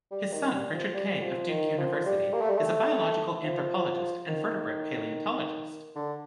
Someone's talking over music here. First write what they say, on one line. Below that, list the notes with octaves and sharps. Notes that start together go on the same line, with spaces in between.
His son Richard Kay of Duke University is a biological anthropologist and vertebrate paleontologist.
G3
D#3
G3
F3
G3
F3
D#3
F3
G3
A#3
A3
G3
A3
F3
D#3
D3